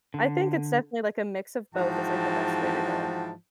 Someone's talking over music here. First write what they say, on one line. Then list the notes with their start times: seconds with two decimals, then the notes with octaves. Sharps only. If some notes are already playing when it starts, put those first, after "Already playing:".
I think it's definitely like a mix of both is, like, the best way to go,
0.14 D3
1.73 G#2 E3 F3 F#4 G5 A5